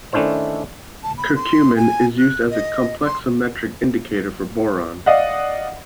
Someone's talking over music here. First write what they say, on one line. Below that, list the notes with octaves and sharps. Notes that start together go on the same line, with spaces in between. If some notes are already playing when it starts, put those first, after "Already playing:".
Curcumin is used as a complexometric indicator for boron.
D#3 A3 C#4 D4 E4 C5
A5
B5
C6
G#5
F#6
D#5
C6
D5 D#5 F5 F#5